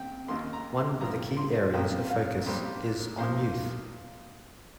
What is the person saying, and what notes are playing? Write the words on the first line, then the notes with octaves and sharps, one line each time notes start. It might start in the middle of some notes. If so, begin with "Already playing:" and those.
One of the key areas of focus is on youth.
Already playing: A#2 C4 G5
D#2 D#3 A#3 C6
A#5
C6
G2 F3 A#3 A#5
C6
A#1 A#2 F3 C4 G5
F5
A#1 A#2 G3 C5
A#2 F3 A#3 C5